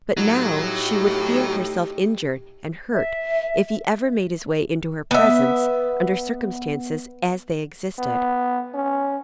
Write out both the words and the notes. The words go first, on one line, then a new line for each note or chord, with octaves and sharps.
But now, she would feel herself injured and hurt if he ever made his way into her presence under circumstances as they existed.
A2 F#3 D#4 G4
E5
B3 E5
B3
C#4